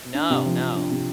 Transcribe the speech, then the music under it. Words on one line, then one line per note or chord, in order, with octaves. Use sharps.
No, no.
D4
C3
F3
F3
D4
C3